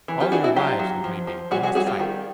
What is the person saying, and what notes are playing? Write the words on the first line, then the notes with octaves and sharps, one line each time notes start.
All your lives, it may be, you must fight.
E3
F4 G4
D4 F#4 G#4
E4 F#4
F#3 F4 G4
F#3
F3
F3
G3 F#4 G#4
F#4 G#4
G3 F#4 G#4
F4 G4
D#3